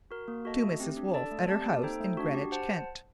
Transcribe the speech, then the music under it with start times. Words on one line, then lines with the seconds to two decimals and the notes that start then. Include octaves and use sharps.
To Mrs. Wolfe, at her house in Greenwich, Kent.
0.11 F#4 A#4
0.28 A#3
0.45 F#4 A4 D#5 A5
0.62 A3
0.80 C4 G4
0.97 D4
1.14 A4 D5 A5
1.31 A3
1.49 C4 G4 D5 A5
1.66 A#3
1.83 D#4 A4 C5 G5
2.00 A3
2.17 D4 F#4
2.35 G4
2.52 C5 F#5 A5